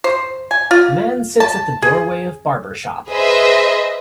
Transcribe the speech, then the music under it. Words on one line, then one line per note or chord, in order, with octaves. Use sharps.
Man sits at the doorway of barber shop.
C5
G#5
F4
A5
G#4
G#4 B4 C5 D#5 E5